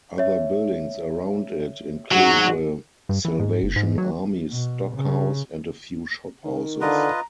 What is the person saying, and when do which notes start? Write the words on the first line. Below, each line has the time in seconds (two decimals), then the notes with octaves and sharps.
Other buildings around it include a Salvation Army stockhouse and a few shophouses.
0.18 C#5 E5
2.12 G#2 F#3 F#4
3.09 G2
3.25 E3
3.39 G#2
3.63 F#1
3.76 G#2
3.98 F#3
4.51 B2
4.95 C#3
6.44 D#3
6.81 D3 F4 B4 D#5 A#5